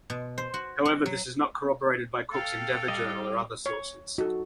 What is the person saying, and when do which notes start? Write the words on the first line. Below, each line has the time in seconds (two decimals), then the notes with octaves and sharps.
However this is not corroborated by Cook's "Endeavour" journal or other sources.
0.10 B2
0.38 C5
0.54 F#4
0.85 F#4
1.06 F#3
2.31 A4 F5 G5
2.88 G3 D#5
3.66 C#5
4.18 D#4 F#4 A4